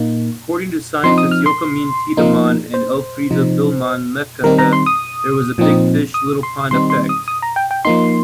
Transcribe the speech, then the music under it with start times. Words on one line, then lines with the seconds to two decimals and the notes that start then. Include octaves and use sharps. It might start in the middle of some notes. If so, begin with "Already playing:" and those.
According to scientists Joachim Tiedemann and Elfriede Billmann-Mahecha, there was a big-fish-little-pond effect.
Already playing: A#2 A#3 D#4
1.03 F3 C4 D#4 C6
1.18 D#6
1.31 F6
1.46 C6
2.17 F3 A#3 D#4
2.74 C5
3.31 C3 F3 D#4
4.44 D#3 G3 C4 D#4 A#4
4.59 A#5
4.73 C6
4.86 D#6
5.58 A#2 F3 C4 D#4
6.14 D#6
6.43 C6
6.71 D#3 G3 C4 D#4 C6
6.90 C6
7.09 D#6
7.28 D#6
7.42 A#5
7.56 G5
7.71 G5
7.85 F3 A#3 D#4 C6